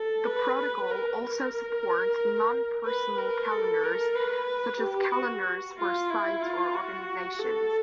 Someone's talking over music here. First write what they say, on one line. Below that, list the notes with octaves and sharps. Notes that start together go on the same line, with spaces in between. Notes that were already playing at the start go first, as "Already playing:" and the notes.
The protocol also supports non-personal calendars, such as calendars for sites or organizations.
Already playing: A4
B4
B4
A#4
A#4
B4
A#4
A4
A#4
B4
G4
F#4
F4
E4
F4
F#4
A4